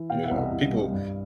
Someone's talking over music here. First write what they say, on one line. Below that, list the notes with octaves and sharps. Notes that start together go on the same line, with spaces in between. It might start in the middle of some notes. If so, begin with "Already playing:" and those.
you know, people
Already playing: E3
B2 F5 G5
E5 F#5
C2
D#5 F5
C2
G3
G2